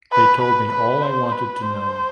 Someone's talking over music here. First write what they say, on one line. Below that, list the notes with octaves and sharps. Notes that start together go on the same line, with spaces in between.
They told me all I wanted to know.
B4
B4
B4
C5
B4
C5